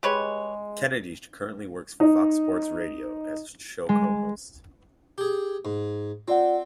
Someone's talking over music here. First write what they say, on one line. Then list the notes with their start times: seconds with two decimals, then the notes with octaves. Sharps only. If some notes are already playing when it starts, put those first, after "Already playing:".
Kennedy currently works for Fox Sports Radio as show co-host.
0.03 G#3 G4 B4 C#5
2.00 D#4
3.89 G#3
5.18 G4 G#4
5.65 G#2
6.28 C4 F4 D5 F#5